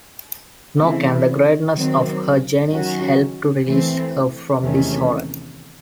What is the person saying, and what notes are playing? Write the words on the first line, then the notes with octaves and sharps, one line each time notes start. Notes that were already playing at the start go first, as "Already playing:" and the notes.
Nor can the greatness of her genius help to release her from this horror.
C#3 E3 A3 C4 E4
D#3 F#3 C4
D#3 F#3 C#4 F#4
E3 A3 C4
E2 C3 D#3 A3 C#4